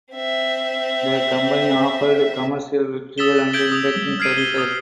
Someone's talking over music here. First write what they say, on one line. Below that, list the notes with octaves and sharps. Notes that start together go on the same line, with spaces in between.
The company offered commercial retrieval and indexing services.
C4 E5
D#6 E6 A6 B6 E7 G7
G6 G#6 B6 D7 F#7 G7
D#6 F7
F6 G#6 C7 D7 D#7
G7
D#6 G7